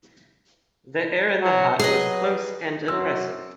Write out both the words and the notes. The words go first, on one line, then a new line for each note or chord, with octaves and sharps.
The air in the hut was close and oppressive.
F#3
F#3 G#4 B4 D#5
F#2 F#3 C4 E6